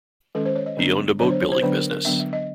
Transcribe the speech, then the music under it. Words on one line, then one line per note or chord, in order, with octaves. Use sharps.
He owned a boat building business.
D#3 G#3 C#4 A4
C5
C#5
D#5
D3 F#3 B3 D4
D3 F#3 B3 D4 C#5
C5
C#5
C5
D3 F#3 B3 D4 B4
A#4
A#4
D3 F#3 B3 D4 E5
E5
D#5